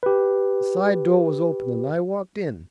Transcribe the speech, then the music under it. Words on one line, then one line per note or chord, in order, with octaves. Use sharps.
The side door was open and I walked in.
G4 B4